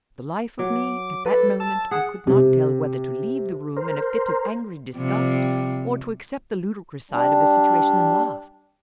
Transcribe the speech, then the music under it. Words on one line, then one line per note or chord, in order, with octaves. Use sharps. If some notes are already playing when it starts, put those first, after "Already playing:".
For the life of me, at that moment I could not tell whether to leave the room in a fit of angry disgust or to accept the ludicrous side of the situation and laugh.
F#3 D6
A4 B4
A5 E6
G#4 F#5
C3
A#4 C5
C3 F3 G3
G3 D4